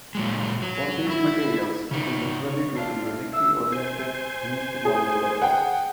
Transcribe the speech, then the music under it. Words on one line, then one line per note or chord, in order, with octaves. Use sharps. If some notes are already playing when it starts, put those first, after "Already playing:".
For these materials, it is usually due to uniquely oriented, hinged molecular bonds.
A#2 F#3 G#3
F#3
E4
C#3 D#4
C#5
C4 D4 E4 F4
F6
E5 E6
C5 G#5
G#4
F#5 G5